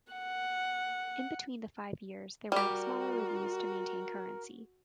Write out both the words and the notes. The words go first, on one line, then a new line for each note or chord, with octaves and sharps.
In between the five years, there were smaller reviews to maintain currency.
F#5
G3 F#4 G4 A#4